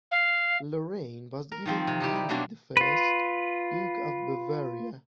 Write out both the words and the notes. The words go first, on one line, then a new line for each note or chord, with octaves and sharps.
Lorraine was given to Henry the First, Duke of Bavaria.
F5
A#4
D#3 F3 C4
C3
G3 D#4 E4 G4
B5
F#3 G3 A#3 C4 D4 F#4
F4 B4